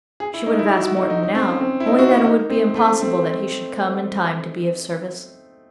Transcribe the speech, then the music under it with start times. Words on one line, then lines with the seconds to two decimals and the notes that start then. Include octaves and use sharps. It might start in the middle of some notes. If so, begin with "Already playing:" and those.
She would have asked Morton now only that it would be impossible that he should come in time to be of service.
0.20 G#4
0.34 E4
0.46 D#4
0.59 E4
0.72 F#4
0.84 F#4
0.97 D#4
1.10 D#4
1.23 D#4
1.35 C4
1.49 C#4
1.61 C4
1.80 E4
1.87 D#4
1.99 F#4
2.11 E4
2.24 D#4
2.50 C4
2.75 A3
3.01 C4